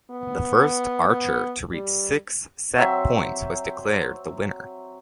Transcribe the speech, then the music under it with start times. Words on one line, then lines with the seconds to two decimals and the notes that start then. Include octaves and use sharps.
The first archer to reach six set points was declared the winner.
0.11 B3
1.09 B3
1.73 G3
2.77 F#3 C4 E5 C6